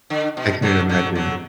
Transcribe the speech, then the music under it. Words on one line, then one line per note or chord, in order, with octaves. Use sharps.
I couldn't imagine.
D3
B2
D3 F#3
D3 F#3
D3 F#3